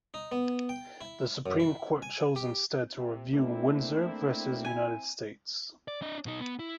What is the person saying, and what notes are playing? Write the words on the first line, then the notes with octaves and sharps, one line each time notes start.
The Supreme Court chose instead to review "Windsor versus United States".
D#4
B3
G5
E4
F#2
E4
G#5
G4
C3
A3 A#3 C4 D4 E4
G#5
D5
D4 D#5
B2 D#4
B3
E4